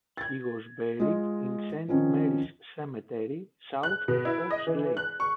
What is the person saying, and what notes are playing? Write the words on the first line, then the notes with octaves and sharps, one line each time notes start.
He was buried in Saint Mary's Cemetery south of Fox Lake.
G#6 A6
G#3 F4 D#5
D#3 F3 C4 C#4 D#4
F#6
B2
E4
D#5
E3
F#6
C#6